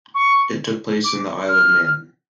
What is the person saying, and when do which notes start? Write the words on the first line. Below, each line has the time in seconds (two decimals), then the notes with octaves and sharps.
It took place in the Isle of Man.
0.14 C#6
1.04 D6
1.48 F6